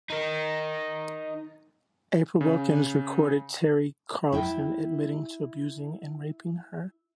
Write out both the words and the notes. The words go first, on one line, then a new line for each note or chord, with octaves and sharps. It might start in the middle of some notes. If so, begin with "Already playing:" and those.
April Wilkens recorded Terry Carlton admitting to abusing and raping her.
D#4 A#4
C#3
E4 E5 G5